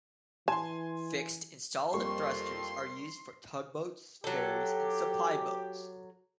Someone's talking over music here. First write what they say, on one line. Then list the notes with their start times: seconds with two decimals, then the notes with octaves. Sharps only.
Fixed installed thrusters are used for tugboats, ferries and supply-boats.
0.48 E3 G#5 A5 C6
1.94 F2 G3 A#3 C6 C#6
4.24 F#3 G4 A4